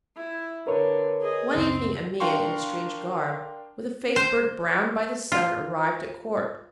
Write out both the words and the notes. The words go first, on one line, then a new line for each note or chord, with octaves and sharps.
One evening a man in a strange garb, with a face burnt brown by the sun, arrived at court.
E4
D3 A#4 B4 C#5
G#4 D#5
C#2 F#2 C#3 C4
D4 A#4 F5 G5 C6 C#6
C5
F4